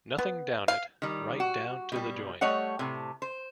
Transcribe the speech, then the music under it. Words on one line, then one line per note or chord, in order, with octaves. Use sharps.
Nothing down it, right down to the joint.
B3
F5
D#3 G3
F#4
B2 G3
G3 A3 C#5 D#5 F#5
A2 C3
C5